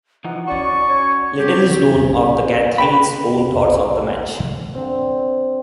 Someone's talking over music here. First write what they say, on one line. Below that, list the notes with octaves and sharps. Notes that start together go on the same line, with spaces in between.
Little is known of Catherine's own thoughts on the match.
E3 F3 D#4 F#5
C#4 F#4 D5 C#6
C#5
G2 C3 G3 G4
B2 D3 C4
B4 G5 B5
D3 C4